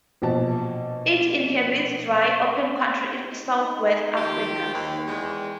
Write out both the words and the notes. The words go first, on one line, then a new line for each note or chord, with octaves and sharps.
It inhabits dry, open country in southwest Africa.
A#1 B2 A5
D#4
D#3 F3 G4
D#2 G5
E2 G#3